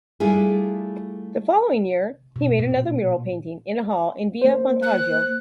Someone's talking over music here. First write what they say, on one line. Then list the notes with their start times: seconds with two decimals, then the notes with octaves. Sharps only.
The following year, he made another mural painting in a hall in Via Vantaggio.
0.20 G3 A3 D4 E4 F4 G#4
2.36 B2
2.59 A#2
4.42 A#3 C5
4.83 F#6